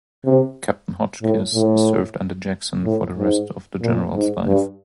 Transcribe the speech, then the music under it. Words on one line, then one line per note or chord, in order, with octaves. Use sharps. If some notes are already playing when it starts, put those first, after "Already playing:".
Captain Hotchkiss served under Jackson for the rest of the general's life.
C3
A2
A2
A2
G#2
A#2
G#2
G2